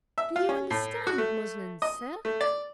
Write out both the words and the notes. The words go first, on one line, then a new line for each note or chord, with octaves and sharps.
"Do you understand muslins, sir?"
E5
F4
C#4
A2
F#4
A3
D#5
A3
D5